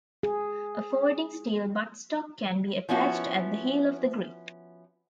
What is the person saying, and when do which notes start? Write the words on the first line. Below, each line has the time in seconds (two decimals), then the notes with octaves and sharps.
A folding steel buttstock can be attached at the heel of the grip.
0.23 G#4
2.89 F3 B3 C#4 E4 F#4